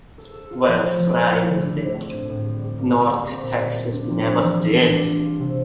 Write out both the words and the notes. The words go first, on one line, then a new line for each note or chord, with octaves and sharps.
While Fry was there, North Texas never did.
A4
A4
F4
F3
A3
F3
A3
E4
D3
D3
D3
C4
A2
A2
G3
G3
A#3
A#3
G4
C4
A#2
A#2
G3
D4
F3
A3
E3
G3
D4
G3
F4
F4
C3